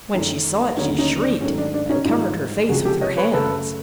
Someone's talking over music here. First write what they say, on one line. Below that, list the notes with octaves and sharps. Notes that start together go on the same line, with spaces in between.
When she saw it she shrieked, and covered her face with her hands.
F#2 D#3 F#3 A3
D#2 D3 F#3 A3 C#4 D#4
C#4 D#4
D4
G#2 D#3 F#3 A3 C#4
D4
D4
C#4 D#4
G#2 D#3 G3 D#4 F4
C#2 C3 F3 F#4 G#4
G4 A4
C#5 D#5
B4 C#5
F#2 C#3 F#3 A3 A4 B4